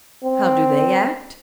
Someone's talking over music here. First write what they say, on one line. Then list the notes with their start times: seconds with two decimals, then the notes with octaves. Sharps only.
How do they act?
0.24 C4